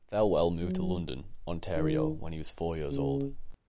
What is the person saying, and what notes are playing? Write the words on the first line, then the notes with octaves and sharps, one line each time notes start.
Thelwell moved to London, Ontario when he was four years old.
F#3
D#3
C#3